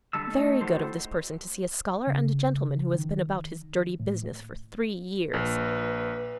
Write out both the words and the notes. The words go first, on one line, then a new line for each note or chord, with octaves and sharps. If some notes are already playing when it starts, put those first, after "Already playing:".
Very good of this person to see a scholar and a gentleman who has been about his dirty business for three years.
D3 G3 A5 E6
A3 D#4
E4 F#4 G4 A4 C5
C#3
D#3
A2
A#1 B4